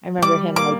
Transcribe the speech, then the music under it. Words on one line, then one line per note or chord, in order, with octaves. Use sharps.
I remember him, like,
G3 D6
A#3 D6